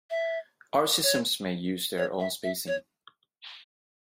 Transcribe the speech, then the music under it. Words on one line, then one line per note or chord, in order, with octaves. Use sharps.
Other systems may use their own spacing.
E5
C#5
C#5
E5
E5
C#5